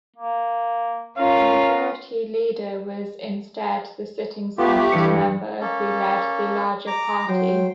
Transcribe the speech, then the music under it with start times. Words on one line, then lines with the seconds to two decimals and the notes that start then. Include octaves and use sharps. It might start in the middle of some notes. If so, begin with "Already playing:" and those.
The Majority Leader was instead the sitting Senate member who led the larger party.
0.16 A#3
1.17 C#4 F4 A#4 F5
4.58 A3 B3 F4 G4
4.92 G2 E3 C#7
5.61 A#3 C#4 A4
6.87 A#5 D6
7.29 F#3 C5 G5